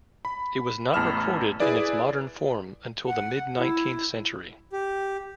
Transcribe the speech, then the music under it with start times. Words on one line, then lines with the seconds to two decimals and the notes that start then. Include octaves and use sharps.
It was not recorded in its modern form until the mid-nineteenth century.
0.25 B5
0.94 A1 E2 A5 B5 F6 E7
1.60 E4 G#4 B4 D5
3.08 F#5
3.56 E4
4.72 G4